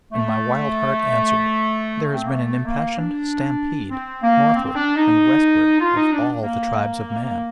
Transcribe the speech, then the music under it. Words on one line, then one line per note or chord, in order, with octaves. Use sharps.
And my wild heart answered: 'There has been an impassioned stampede, northward and westward, of all the tribes of Man.
A3
A3
C4
A#3
A3
A#3
D4
C4
A#3
C4
C4
D4
D#4
F4
D#4
D4
A#3